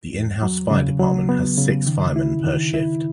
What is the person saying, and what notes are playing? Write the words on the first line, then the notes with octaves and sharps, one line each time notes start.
The in-house fire department has six firemen per shift.
E2
F#3
C#3
F#3
B3
C#3
D#3
E4
D#3
E4